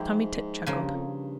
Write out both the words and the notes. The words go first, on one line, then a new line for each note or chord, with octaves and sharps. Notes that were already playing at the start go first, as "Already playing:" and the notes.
Tommy Tit chuckled.
Already playing: G#2 F3 A#3 E4 G4
G#2 C#3 F3 A#3
G2
F2
G2